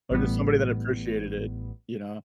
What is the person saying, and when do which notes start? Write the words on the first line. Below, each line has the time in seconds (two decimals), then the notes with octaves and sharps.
Or just somebody that appreciated it, you know?
0.10 A1 A2 G3 B3